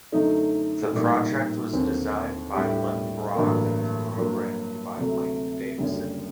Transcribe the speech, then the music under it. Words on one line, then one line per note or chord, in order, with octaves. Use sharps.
The Project was designed by Lynn Brock and programmed by Wayne Davison.
F#2 D3 F#3 A3 D#4
A#1 A2 G3 A#3 D#4
D#2 D3 F#3 C4
A2 G3 D4 G4
A1 G2 D3 F#3 A#3
G2 F#3 A#3
D2 C3 F#3 A3
F#1 F#2 D3 G3